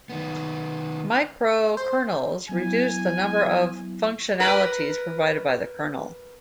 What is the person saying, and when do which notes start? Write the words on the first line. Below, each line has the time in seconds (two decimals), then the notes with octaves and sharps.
Microkernels reduce the number of functionalities provided by the kernel.
0.10 D#3 B3
1.77 C5
2.49 F#3 B3 E4 G#5
4.40 A#4 B4